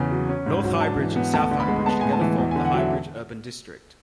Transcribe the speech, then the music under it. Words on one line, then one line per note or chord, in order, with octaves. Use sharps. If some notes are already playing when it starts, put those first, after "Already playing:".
North Highbridge and South Highbridge together formed the Highbrige Urban District.
Already playing: E2 C#3 E3 G#5
F#3
C#4
G#2
F#3
D4 A5
E3
B3
D2 A5
D3
B5
G#3
B3 A5
A2 G#5
A5
E3
E2
G#5
D3
F#5
F#3 E5